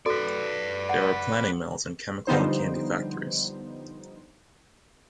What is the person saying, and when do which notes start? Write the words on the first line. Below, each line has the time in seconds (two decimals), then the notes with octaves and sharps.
There were planing mills, and chemical and candy factories.
0.06 F#4 A4 B4 D5
0.89 F#5
2.27 D3 F3 G3 B3 D#4 C5